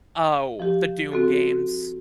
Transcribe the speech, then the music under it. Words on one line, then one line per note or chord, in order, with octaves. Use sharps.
oh, the Doom games.
F3 G4
C4 F#4 A4